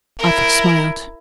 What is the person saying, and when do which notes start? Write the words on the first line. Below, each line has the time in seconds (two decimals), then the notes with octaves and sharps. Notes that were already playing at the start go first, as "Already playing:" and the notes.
Athos smiled.
0.19 E4 A#4